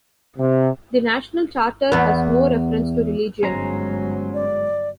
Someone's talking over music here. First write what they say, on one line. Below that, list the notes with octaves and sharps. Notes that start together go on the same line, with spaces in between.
The National Charter has no reference to religion.
C3
E2 B3
G1 G#2 F#3 G#3 C#4 C5 A#5
D5